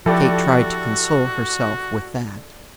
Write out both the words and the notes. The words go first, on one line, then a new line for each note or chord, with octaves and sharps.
Kate tried to console herself with that.
F3 E4 F#4 G4 A4 D5 A5